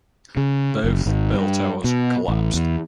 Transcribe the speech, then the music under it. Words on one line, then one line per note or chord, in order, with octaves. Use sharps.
Both bell towers collapsed.
C#3
F#1
G#1
G2
B2
A1
E2